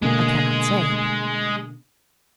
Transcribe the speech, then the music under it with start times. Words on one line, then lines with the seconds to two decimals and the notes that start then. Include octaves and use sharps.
"I cannot say."
0.02 B2 D3 G#3 A#3 G#4